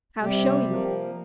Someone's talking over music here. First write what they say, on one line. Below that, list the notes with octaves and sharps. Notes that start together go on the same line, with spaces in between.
I'll show you.
C3 G3 G4
F3 A#3